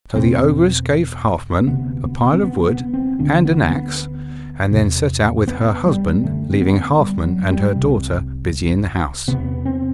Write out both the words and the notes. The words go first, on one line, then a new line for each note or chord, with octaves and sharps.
So the ogress gave Halfman a pile of wood and an axe, and then set out with her husband, leaving Halfman and her daughter busy in the house.
E2 B2 C4
D2 C3 B3
B3
C4
B3
B3
C4
D2 D3 D4
B3
B3
E2 C3
B3
G3
F#2 D3 A3
C4
B3
G3
F#3
G3
C2 C3
E2 C3 B3
C4